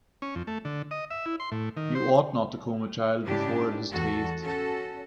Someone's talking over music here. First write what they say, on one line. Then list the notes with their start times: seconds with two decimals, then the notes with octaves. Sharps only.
You ought not to comb a child before it has teethed.
0.22 C#4
0.35 F2
0.47 A3
0.65 D3
0.91 D#5
1.10 E5
1.26 E4
1.40 C6
1.52 A2
1.77 D#3
1.95 C5
3.25 G#2 C#3 D4 E4 G4
3.92 E2 F#4 A4
4.41 C#4 F#4 A4